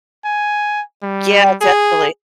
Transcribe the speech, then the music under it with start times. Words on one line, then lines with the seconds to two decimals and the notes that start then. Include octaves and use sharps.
Yeah. Definitely.
0.25 G#5
1.03 G3
1.61 G#4